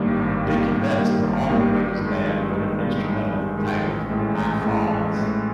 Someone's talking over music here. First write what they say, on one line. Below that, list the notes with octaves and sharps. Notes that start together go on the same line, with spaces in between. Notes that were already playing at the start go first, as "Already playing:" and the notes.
Dickey Betts of The Allman Brothers Band wrote an instrumental titled "High Falls".
Already playing: G#1 G2 D#3 G3 A#3
G#1
G2 D#3 G3 A#3
G#1
G2 D#3 G3 A#3
G#1
G2 D#3 G3 A#3
G2
D#3 G#3
G2
D#3 G#3
G2
D#3 G#3
G2
D#3 G#3
A1
A2 E3 G#3
A1
A2 E3 G#3
A1
A2 E3 G#3